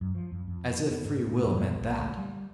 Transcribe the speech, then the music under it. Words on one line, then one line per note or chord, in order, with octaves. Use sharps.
As if free will meant that!
F#2
F3
F2
F2
B3
G#2
A2
E2
B2
A#1
D2
G3